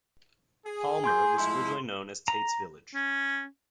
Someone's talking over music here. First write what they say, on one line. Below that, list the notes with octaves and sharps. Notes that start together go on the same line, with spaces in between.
Palmer was originally known as "Tate's Village".
G#4
G#5 C6 G6
F3 G#3 E4 C6
A#5
C#4